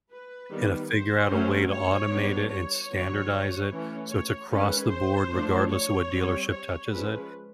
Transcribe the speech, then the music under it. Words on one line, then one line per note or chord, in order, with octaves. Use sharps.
and, uh, figure out a way to automate it and standardize it so it's across the board regardless of what dealership touches it,
B4
D#3 G3 B3
C5
F#3 A3 C#4
C#5
G3 B3 D4
C#5
D3 F#3 B3
E3 A3 C#4
C#5
D#3 G#3 C#4 B4
C5
F3 A3 D4
C#5
G3 C4
C#5
F3 G#3 C#4 B4